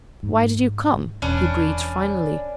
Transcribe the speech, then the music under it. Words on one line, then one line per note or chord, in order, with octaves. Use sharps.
"Why did you come?" he breathed finally.
G#2
E1 C#4 D4 B4